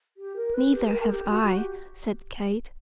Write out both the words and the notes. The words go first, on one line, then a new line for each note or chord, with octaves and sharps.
"Neither have I," said Kate.
G4
A#4
B4
G4
B4
A#4
A#4
G4
F#4
F#4
G4